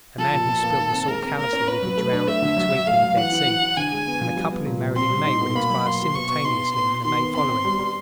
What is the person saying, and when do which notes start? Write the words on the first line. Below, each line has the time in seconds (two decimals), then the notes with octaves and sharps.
A man who spilt the salt callously would be drowned next week in the Dead Sea, and a couple who married in May would expire simultaneously in the May following.
0.18 F3 A4
0.33 A#2
0.48 A#2
0.64 A#3
0.78 D#3
0.93 C4
1.08 G#3 A#4
1.23 C4
1.38 A#3 A#4
1.53 C#4
1.68 C#4 B4
1.82 F#3
1.97 A3
2.13 D4
2.27 A3 E5
2.42 D3
2.57 F#3
2.73 F#3
2.87 A3 F5
3.02 F#3
3.17 E3 F#5
3.32 E3
3.47 E3
3.62 E3
3.77 D3 G#5
3.92 G#3
4.07 B3
4.21 F3
4.36 G3
4.51 B3
4.66 A#2
4.81 A#2
4.96 C4 C6
5.10 G3
5.25 D#4
5.41 B2
5.55 A#3 B5
5.70 F#3
5.85 A#3 C6
6.00 F#4
6.15 B2 C#6
6.30 B3
6.45 D#4 C6
6.60 D#4
6.75 B3 C6
6.90 B3
7.05 D#3 C6
7.19 B3
7.34 C4 C6
7.49 C4
7.65 G3
7.79 G3